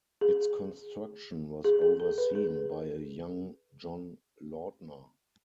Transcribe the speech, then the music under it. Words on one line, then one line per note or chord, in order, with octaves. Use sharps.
Its construction was overseen by a young John Lautner.
G#4
G#4
G#4
A4
B4
G#4